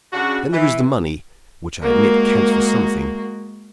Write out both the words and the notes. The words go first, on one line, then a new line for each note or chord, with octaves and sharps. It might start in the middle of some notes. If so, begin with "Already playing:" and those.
Then there is the money, which I admit counts for something.
C#3 D4 F#4
E3
G#3 A#3 F#4